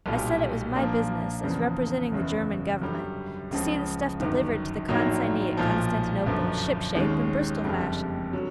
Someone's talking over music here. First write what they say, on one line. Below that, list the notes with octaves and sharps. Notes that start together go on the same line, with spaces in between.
I said it was my business, as representing the German Government, to see the stuff delivered to the consignee at Constantinople ship-shape and Bristol-fashion.
B1 A#2 G3
A#2 F3 A#3 D4
E2 C#3 F3 A#3
F#1 E2 C#3
F#2 D3 G3
C#2 C#3 F3
G1 F#2 D#3
A#1 A2 F#3 A#3 D#4
B1 A#2 F3
G1 F#2 D3 F3
D#2 D#3 G#3 C#4
F#1 F2 D3 G3
D3 F#3